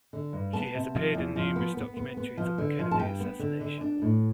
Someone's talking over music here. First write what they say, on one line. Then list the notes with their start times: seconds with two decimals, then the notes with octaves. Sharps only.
She has appeared in numerous documentaries on the Kennedy assassination.
0.13 D3
0.33 G2
0.53 B3 A5
0.75 C3
0.94 F3
1.15 E2
1.36 F3
1.56 B3
1.77 B3
1.97 B3
2.17 B3
2.37 F3
2.58 D3
2.79 F3
2.91 A5
2.99 G2 G5
3.20 B3
3.39 D3
3.61 D3
3.81 D4
4.02 A2